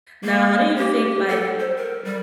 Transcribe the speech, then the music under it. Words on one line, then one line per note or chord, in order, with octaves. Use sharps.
Now how do you think, like,
A#3
G4
A4
C5
A#4
G3